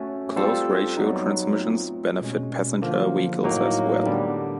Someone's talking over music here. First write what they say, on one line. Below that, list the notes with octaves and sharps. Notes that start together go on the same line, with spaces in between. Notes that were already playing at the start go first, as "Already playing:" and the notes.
Close-ratio transmissions benefit passenger vehicles as well.
Already playing: A3 C#4 F#4 A4
G3 C4 F4 A4
F#3 B3 D#4
A3 C4 F4
B2 G#3 C#4
D3 F3 A#3
A2 F#3 A#3 D#4 F#4
D3 G3 B3 D4 G4